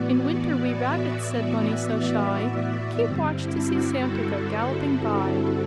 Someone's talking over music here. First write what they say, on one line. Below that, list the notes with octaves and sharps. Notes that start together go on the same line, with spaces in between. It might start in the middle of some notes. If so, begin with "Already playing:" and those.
"In winter we rabbits," said Bunny so shy, "Keep watch to see Santa go galloping by."
Already playing: A2 E3 B3 F#4 D5
D5
E5
D5
E5
E5
D5
G2 D3 G3 C4 D5
E4
F#4
A4
F#4
E4
F#4
E4